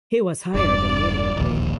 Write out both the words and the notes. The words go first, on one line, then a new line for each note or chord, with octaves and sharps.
He was hired immediately.
E1 G2 D5
D1 A#1 D#2